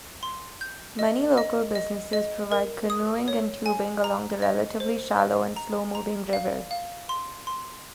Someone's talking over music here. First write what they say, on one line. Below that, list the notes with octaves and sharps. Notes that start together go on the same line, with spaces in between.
Many local businesses provide canoeing and tubing along the relatively shallow and slow-moving river.
C6
G6
D#5
D#5
D#5
D#5
A#4
D#6
C#5
G#5
A#5
D#5
C5
D#5
A#5
A#5
F5
F5
C6
C6